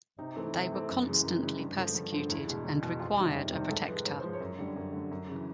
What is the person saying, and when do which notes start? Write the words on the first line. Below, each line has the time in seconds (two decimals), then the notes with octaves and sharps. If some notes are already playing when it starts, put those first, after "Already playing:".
They were constantly persecuted and required a protector.
0.19 C3 D#4
0.36 E3 A3 C4
0.54 C3
0.71 E3 A3 C4
0.88 F#2
1.06 C#3 E3 G#3
1.24 F#2
1.42 C#3 E3 G#3
1.60 G2
1.77 D3 F3 A3
1.95 G2
2.12 D3 F3 A3
2.30 E2 E4
2.47 B2 G#3
2.65 E2
2.83 B2 G#3
2.99 F2 F4
3.17 C3 D#3 G3
3.35 F2
3.52 C3 D#3 G3
3.70 G#2 A4
3.88 F3 B4
3.92 G#3
4.05 G#2 C#5
4.20 F3 G#3 C5
4.33 C#5
4.40 F#2
4.59 D3 G3
4.76 F#2
4.93 D3 G3
5.11 F#2
5.28 C#3 E3